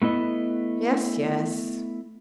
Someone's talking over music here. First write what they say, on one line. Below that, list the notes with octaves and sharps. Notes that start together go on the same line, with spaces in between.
"Yes, yes."
A3 B3 E4 D#5